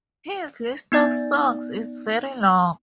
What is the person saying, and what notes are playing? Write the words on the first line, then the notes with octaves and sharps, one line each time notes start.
His list of songs is very long.
B3 D#4 D5 A6